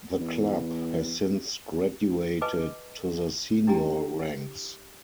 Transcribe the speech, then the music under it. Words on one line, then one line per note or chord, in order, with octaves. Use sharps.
The club has since graduated to the senior ranks.
E2
B4 D#5 G#5 A5 D6
D4 E4 G4 G5 G#5 A#5